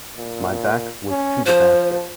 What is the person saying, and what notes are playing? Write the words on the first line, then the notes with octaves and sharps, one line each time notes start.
My back was to the basket.
A#2
C#4
F3 C5